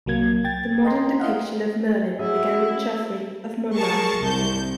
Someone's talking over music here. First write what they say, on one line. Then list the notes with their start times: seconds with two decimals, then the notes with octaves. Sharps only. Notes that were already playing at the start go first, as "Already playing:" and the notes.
The modern depiction of Merlin began with Geoffrey of Monmouth.
0.06 C2 F#3 A#3 G#6
0.44 G5 G#6 A6
0.85 D#5 G5 A#5 C6
1.20 E4 D#5 F5 F#5
2.19 C#4 E4 F#4 G#4 E5
3.76 G#4 A#4 A5 C#6
4.21 C2 G6